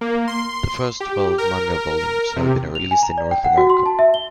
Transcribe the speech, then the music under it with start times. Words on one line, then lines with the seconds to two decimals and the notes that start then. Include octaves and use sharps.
The first twelve manga volumes have been released in North America.
0.01 A#3
0.28 C6
1.00 G4
1.38 A#4
2.00 A#4
2.36 C3
2.75 F7
2.91 G#5
3.03 A#5
3.18 D5
3.31 G5
3.44 F#5
3.58 F#4
3.70 C6
3.86 A5
3.99 E5
4.14 G7